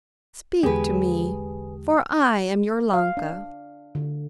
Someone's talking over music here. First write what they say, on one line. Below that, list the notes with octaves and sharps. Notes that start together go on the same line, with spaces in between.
Speak to me, for I am your Ilonka.'
E2 D3 G#3 G4 G#4 B4
F5
D4
D3